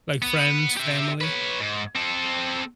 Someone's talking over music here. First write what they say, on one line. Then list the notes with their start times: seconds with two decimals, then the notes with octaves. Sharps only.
Like, friends, family?
0.22 B3
0.77 G4 E5
1.21 B4 C#5
1.60 G#2
1.95 C4 A4